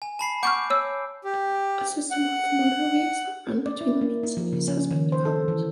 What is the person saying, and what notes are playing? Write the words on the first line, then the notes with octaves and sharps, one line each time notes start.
A system of motorways that run between the main cities has been developed.
G#5
A5 B5 C7
F#5 C#6 D6 F6 G6 D7
C#5 E6
G4
F#5
D5
E4
A#3
D#4
F3
C#3
C#4
D#3
C5
A4
E3